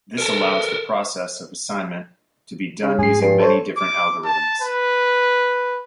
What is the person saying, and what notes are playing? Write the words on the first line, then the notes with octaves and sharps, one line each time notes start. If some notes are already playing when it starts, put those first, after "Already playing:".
This allows the process of assignment to be done using many different algorithms.
A4 A#4
C#3
G#2 G#4 C7
G2
A4 C5 C#5
D6
A5
B4